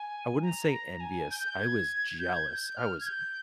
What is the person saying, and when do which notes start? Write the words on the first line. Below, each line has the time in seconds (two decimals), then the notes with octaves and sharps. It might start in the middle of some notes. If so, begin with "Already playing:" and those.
I wouldn't say envious, I was jealous, I was
Already playing: G#5
0.42 A#5
0.71 A#5
1.00 G#5
1.31 G6
1.44 G6
1.60 G#6
2.18 G6
2.33 G#6
2.47 G6
2.77 F6
3.00 G#6
3.06 G6